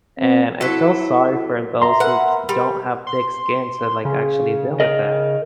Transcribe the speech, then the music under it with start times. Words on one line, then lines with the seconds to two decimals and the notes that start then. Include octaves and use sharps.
and I feel sorry for those who d don't have thick skin to like, actually deal with that,
0.20 C4
0.61 F#3 E4 F#4 A4 B6
1.82 E5 A#5 C6
2.00 A#4 B4 F#5
2.49 G3 C6
3.07 C6
4.05 C#3
4.80 A#4 D#5